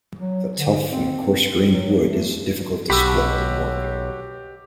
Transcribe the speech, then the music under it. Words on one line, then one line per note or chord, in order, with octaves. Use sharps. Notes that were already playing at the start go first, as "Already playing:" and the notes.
The tough and coarse-grained wood is difficult to split and work.
F#3
D3
C4
F#3
A3
B1 F#4 G4 B5 E6